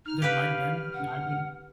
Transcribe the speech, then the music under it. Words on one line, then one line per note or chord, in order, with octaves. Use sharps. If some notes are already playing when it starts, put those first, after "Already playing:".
There might've been, I wouldn't
D#4 F6
G4 B4 F5
F#5